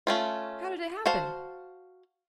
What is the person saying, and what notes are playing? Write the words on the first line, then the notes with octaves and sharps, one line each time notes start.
"How did it happen?"
A3 C#4 F4
F#4 C5 F5 A5